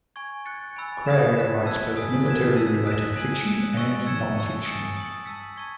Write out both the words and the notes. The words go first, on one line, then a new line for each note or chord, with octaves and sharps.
Cragg writes both military-related fiction and non-fiction.
G#5 C#6 G#6
F#6 A6 C#7
G#5 B5 E6 A6
D#6 G#6 B6 E7
F#6 B6 E7
A5 E6 G#6 B6
G#5 D#6 F#6 B6
D#6 G#6 B6 E7
A5 E6 G#6 B6
D#6 F#6 B6 E7
G#5 D#6 G#6 D#7 F#7
D#6 F#6 C#7 E7
G#5 C#6 E6 A6
E6 G#6 C#7 E7
A5 C#6 E6
G#5 D#6 A6 E7
D#6 A6 C#7 F#7
A5 E6 B6
A5 C#6 G#6 B6